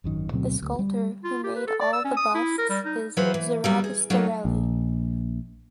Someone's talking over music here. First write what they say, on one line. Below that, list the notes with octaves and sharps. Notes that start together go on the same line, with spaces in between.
The sculptor who made all the busts is Zurab Tsereteli.
G#1 F#2 D#3
D2 B2 F#3 C4
D2
G3
F4
G4
B4
A4
D5
E6
C#4
D#6
E4
A#4
G3
D#4
E3 F#3 F4 G#4 B4 C5
E3
F#3 G3 B3
G#4
F#3 A3 D#4 F4
A#1